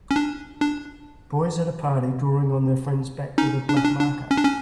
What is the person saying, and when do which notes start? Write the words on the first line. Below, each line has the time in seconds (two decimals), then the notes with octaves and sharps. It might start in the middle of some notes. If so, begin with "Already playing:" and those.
Boys at a party drawing on their friend 's back with a black marker.
0.11 C#4
0.16 D4
0.61 D4
3.38 C#4 D#4
3.69 D4
3.77 C#4
3.84 D4
4.00 D4
4.31 C#4
4.38 D4
4.44 C#4